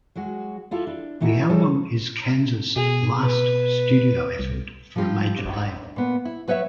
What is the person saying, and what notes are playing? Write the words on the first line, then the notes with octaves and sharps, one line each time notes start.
The album is Kansas's last studio effort for a major label.
F#3 G#3 F#4
E4 F4 G4 A4
D4
E3 A3 D#4 E4 F#4 A4
G3 G#4 A4 C#5
B2 G#4
B4
C2
F3 G3 F4 G4
D4
A#2 B3
E4
F#3 B4 C#5 D5 E5